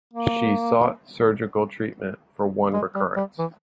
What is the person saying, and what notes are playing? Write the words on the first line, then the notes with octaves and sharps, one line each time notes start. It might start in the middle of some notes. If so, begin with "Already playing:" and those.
She sought surgical treatment for one recurrence.
A#3
G#3
G3
G3
E3